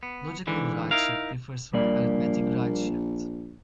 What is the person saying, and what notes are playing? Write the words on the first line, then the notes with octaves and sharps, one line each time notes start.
Logical right shift differs from arithmetic right shift.
B3
G#2 D3 E3
D#4 E4 A#4 F5
A#1 G3 A#3 D5